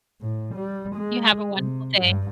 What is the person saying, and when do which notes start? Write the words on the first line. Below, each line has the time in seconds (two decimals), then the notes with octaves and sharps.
You have a wonderful day.
0.21 A2
0.54 G3
0.95 G#3
1.57 C3
1.98 G2